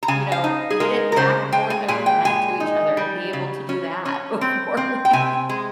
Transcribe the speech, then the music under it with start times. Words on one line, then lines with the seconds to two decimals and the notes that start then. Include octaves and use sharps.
you know, hit it back and forth over the net to each other and be able to do that before we"
0.03 A#5
0.08 C#3 G#5
0.32 F5
0.44 D#4
0.70 G#4
0.80 G#3 A#4
1.12 A#4
1.16 C#3 C5
1.52 G#3 G5
1.70 G#5
1.88 A#2 G#5
2.06 G5
2.25 G#3 G#5
2.60 D#4
2.97 G3
3.33 C#3
3.69 C#4
4.05 C#4
4.41 C4
4.77 C4
5.05 G5
5.13 C3 G#5
5.49 G#3